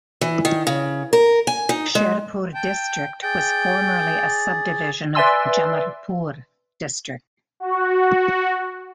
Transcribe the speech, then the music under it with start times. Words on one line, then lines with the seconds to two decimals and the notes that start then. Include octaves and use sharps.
Sherpur district was formerly a sub-division of Jamalpur district.
0.21 E3
0.45 D#3
0.67 C#3
1.13 A#4
1.47 G#5
1.69 D#4
1.95 G#3
2.55 G5 A5
3.23 G#4 D5 G5
5.15 B4 D5 E5 G#5 C6 E6
7.60 F#4